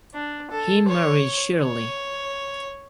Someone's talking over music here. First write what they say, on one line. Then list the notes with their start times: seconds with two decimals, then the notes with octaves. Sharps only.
He married Shirley.
0.14 D4
0.51 A4
0.88 C#5
1.61 C#5